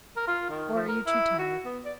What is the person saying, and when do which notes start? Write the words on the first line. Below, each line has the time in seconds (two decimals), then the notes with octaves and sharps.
Or are you too tired?
0.16 A#4
0.28 F4
0.50 D#3
0.75 F3
0.88 A#4
1.06 E4
1.39 F#4
1.65 B3
1.85 D5